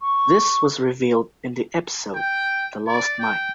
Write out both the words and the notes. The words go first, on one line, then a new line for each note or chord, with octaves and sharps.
This was revealed in the episode The Lost Mine.
C#6
G5
D5
G5